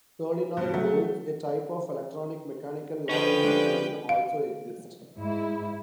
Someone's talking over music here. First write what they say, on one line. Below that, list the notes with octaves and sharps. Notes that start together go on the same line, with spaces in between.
Solenoid bolts, a type of electronic-mechanical locking mechanism, also exist.
G2 B2
F#3 A3
D3 F3 C#4 B4 G5
G#3 D4 G4
F5
G#2 E4